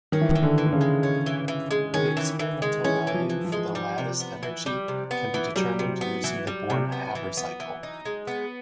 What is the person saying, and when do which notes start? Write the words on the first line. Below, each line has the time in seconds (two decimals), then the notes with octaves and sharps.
The experimental value for the lattice energy can be determined using the Born-Haber cycle.
0.12 D#3 C#4
0.21 E3
0.31 D#3
0.35 E3
0.42 D3
0.58 E3
0.66 D3
0.73 C#3
0.81 G#3
1.03 C#4
1.26 E3
1.48 E3
1.71 G#3
1.94 D#3 C#4
2.17 E3
2.39 E3
2.62 G#3
2.84 E3 C#4
3.07 E3
3.14 F3
3.30 E3
3.45 F3
3.52 G#3
3.75 G3
3.98 C3
4.20 B3
4.43 E3
4.66 G3
4.88 C3
5.11 B3
5.34 E3
5.56 F#3 G3
5.79 C3
6.01 B3
6.24 E3
6.47 G3
6.70 C3
6.92 B3
7.15 E3
7.37 B3
7.60 E3
7.83 D#4
8.05 G#3
8.27 B3